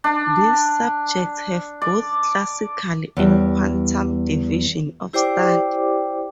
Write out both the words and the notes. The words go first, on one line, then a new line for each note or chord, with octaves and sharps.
These subjects have both classical and quantum divisions of study.
D4
D5
E2 G3
E4 G4 C5 D5 G5 D6